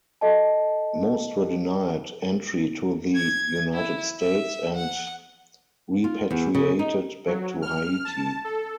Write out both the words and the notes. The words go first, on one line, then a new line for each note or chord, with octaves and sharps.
Most were denied entry to the United States and repatriated back to Haiti.
A4 D#5 A5
G#6
E4
E5
F#5
F4
E2
C#3
D#4
F#3
F6
A5
A4